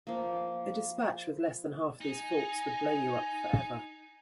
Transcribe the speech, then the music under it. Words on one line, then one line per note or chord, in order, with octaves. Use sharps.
A dispatch with less than half these faults would blow you up forever.
F3 A#3
D#4 G#5